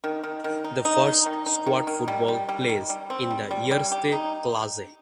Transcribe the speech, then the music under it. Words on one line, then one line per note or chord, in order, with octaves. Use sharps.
The first squad football plays in the Eerste Klasse.
D#3
D#3
D#3
D#4
D#4
D#4
D#3
D#4
D#3
D#3
G3
G3
G3
D#3
G3
C4
G3
G3
G3
G4
D#4